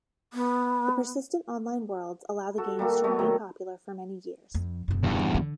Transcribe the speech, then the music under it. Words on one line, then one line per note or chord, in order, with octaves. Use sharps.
The persistent online worlds allow the games to remain popular for many years.
B3
F#4 A4
G3 A#3 F#4 A4
G3 A3 B3 F#4
D#3 F#3
F2
E1 F#2
E2 G2
D3